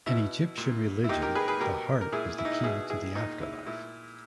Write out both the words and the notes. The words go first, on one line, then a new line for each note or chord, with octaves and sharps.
In Egyptian religion, the heart was the key to the afterlife.
B2 E4
A#2
E4
A#2 D#4 G4
G4 A#4
G#4 B4
G#4 B4
B2 G4 A#4
A#4
A#2 E4 G#4
E4
D#4
E4
B2 E4 G#4
E4 G#4
A#2 D#4
E4
A#2 E4